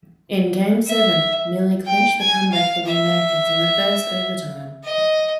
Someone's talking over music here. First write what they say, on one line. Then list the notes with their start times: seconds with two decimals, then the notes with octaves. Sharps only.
In game seven, Milley clinched the comeback for the Americans in the first overtime.
0.87 E5
1.86 G5
2.20 G#5
2.52 F5
2.86 E5
4.83 D#5